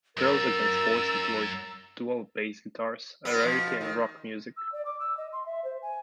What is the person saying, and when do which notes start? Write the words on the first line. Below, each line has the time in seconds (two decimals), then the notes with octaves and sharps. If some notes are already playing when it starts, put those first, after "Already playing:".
Girls Against Boys employs dual bass guitars, a rarity in rock music.
0.17 F#2 A#4 A#5 E6 A6
3.25 B3
3.44 B2 F3
3.81 D#3
4.57 E6
4.72 D5
4.85 D6
4.99 E6
5.17 D#5
5.33 C6
5.46 E5
5.64 C5
5.82 G#5